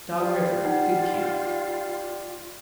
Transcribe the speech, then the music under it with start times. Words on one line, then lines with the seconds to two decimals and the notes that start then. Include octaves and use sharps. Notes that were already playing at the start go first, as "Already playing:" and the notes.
Dog River.--Good camp.
0.20 G3 F4
0.65 D#4 F#5